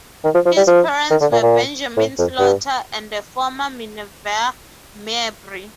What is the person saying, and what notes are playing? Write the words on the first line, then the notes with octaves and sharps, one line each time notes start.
His parents were Benjamin Slaughter and the former Minerva Mabry.
D#3
F3
F3
G3
F3
D#3
D3
A#2
A#2
A2
F2
G2